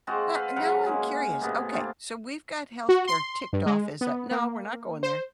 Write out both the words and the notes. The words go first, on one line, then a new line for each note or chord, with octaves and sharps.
Wha and now I'm curious, okay, so we've got healthcare ticked off as a "No, we're not going there."
G#3 C4 F4 F#4
B4 C5 F5 C6
C#3 F#3 F5 F#5
G#3 A#3
A2 C3 A#3 B3
C4 D4 F4
F#4
C6
G2
G#3
B3
A#3
C5